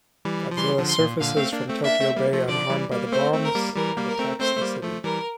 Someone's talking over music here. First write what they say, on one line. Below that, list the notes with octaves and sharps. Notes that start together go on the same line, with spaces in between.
Godzilla surfaces from Tokyo Bay unharmed by the bombs and attacks the city.
E3 G3
F3
E3 G3 C6
D3 F3
C6
A#2
A#2 D3 F5
A3 C4
A#3 D4
A3 C4
A#3 D4 E5
A3 C4
G3 A#3
F3 A3
D3 F3 D5
E3 G3
G3 A#3
A#3
A3 C4 C5
A3 C4
A#4
G3 A#3
E3 G3 A#4
G3 A#3
A#4
A3 C4
A3 C4 C5
A3
G3 A#3
F3 A3
E3 G3 A#4